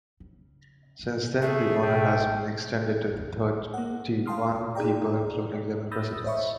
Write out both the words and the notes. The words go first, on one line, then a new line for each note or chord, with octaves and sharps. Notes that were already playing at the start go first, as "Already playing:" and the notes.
Since then, the honor has been extended to thirty-one people, including eleven Presidents.
C#3
B2 A#3
A3 D#4 G#4
B2 A3 G5
A1 G#2
A#3 F#5
F5 G5 A5 C6 D#6 F6
D#4 G#4 D5 G5 A#5
B5 D#6 E6 G6 A6 A#6
C5 C#5 D#5 E5 B5 C#6